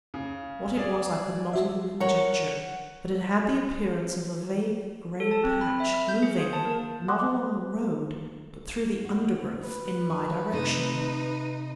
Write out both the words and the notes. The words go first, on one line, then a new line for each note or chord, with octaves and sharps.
What it was I could not even conjecture; but it had the appearance of a vague gray patch, moving--not along the road, but through the undergrowth--in my direction.
C#3
G#4 D5
F#4 E5
A#4 C#5 F#5
A4
A5
C4
B5
E5
F6
G6
G#4
A#3
A5
A#4
F#5 C6 D6 D#6 F#6
F#4
B4
G#5
C3 A3 C4 D#4